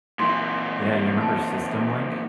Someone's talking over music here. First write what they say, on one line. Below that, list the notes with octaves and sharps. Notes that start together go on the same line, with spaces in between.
Yeah, you remember SystemLink?
A#2 E3 C6
A5